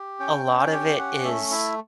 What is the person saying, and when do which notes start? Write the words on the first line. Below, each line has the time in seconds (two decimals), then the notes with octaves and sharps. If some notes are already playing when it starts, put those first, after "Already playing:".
a lot of it is
Already playing: G4
0.20 C#4 G5
0.46 C#4
0.59 G5
0.72 G4
0.98 C#4 F#5
1.25 A3 E5
1.51 E4 E5